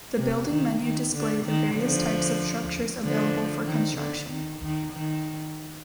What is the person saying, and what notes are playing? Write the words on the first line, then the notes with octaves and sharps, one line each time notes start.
The building menu display the various types of structures available for construction.
C3
D#3
D#3
D3
D#3
D3 F3
D3 F3
D#3
D3
D#3
D#3
D#3